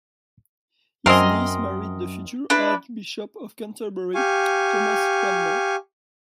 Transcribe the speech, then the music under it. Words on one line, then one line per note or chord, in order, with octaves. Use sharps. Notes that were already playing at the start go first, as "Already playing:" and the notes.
His niece married the future Archbishop of Canterbury, Thomas Cranmer.
F#2 C4 A#4 D#5 G#5 C6
D4 E4 B4
G4 F5 G#5 C#6